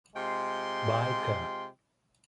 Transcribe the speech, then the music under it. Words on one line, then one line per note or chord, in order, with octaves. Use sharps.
By ca.
C3 G#3 F4 G5 C6